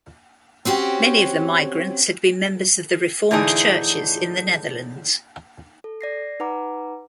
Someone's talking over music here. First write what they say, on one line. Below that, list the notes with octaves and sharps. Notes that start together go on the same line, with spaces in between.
Many of the migrants had been members of the Reformed Churches in the Netherlands.
C4 C#4 F#4 G4
A2 D3 E3 D4 D#4 G#4
A4
D5 A#6 C7
D#4 B4 F#5 A#5 D6